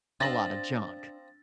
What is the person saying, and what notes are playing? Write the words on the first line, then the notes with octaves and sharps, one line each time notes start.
a lotta junk.
F3 C4 D4 A6 A#6 F#7